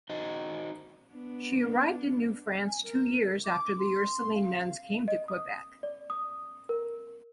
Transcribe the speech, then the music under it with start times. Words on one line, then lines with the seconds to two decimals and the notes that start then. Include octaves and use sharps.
She arrived in New France two years after the Ursuline nuns came to Quebec.
0.10 D#4 F#4 C5 D#5
1.12 B3 D4
2.67 G#5
2.83 A#4
3.45 D6
3.79 C6
4.35 F5
5.08 D#5
5.28 D#6
5.83 D5
6.10 D#6
6.69 A#4